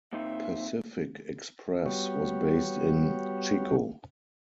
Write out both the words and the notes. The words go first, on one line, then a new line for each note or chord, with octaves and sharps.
Pacific Express was based in Chico.
A#2 C4 D#4 E5
G3 B3 F#4 G4 C#5